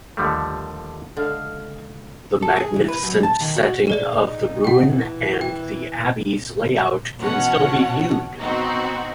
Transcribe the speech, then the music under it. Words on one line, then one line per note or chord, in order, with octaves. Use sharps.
The magnificent setting of the ruin and the Abbey's layout can still be viewed.
D#2 D3 F3 G3 A3
C#2 D3 D#5 F5
A4
G#4
E3
B4
F#2
A5
D#3
F#4
G#4 C5 D5
D#4
F#5 G5
E3
G5
B2 E3 C#4 C#5 F#5 A5
B3 C4 D#4 F#4